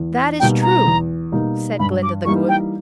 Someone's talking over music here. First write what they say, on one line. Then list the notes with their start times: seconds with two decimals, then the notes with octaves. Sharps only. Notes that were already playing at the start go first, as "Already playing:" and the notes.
"That is true," said Glinda the Good.
Already playing: E2
0.40 B2 G3 A#3 D#4 G5
0.62 A#5
0.87 E2
1.32 B2 G3 A#3 D#4
1.79 G2 B5
2.03 D6
2.25 E3 G3 A#3 D#4 C#6
2.49 G5